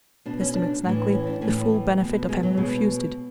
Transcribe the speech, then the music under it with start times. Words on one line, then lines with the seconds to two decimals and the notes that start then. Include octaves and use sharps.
Mr. McSnagley the full benefit of having refused it.
0.26 B2 D4
0.41 C#4
0.55 D4
0.84 A2 E3
1.13 C#4
1.27 D4
1.41 A2 E3 C#4
2.00 B2
2.29 G#3
2.43 F#3
2.57 B2 G#3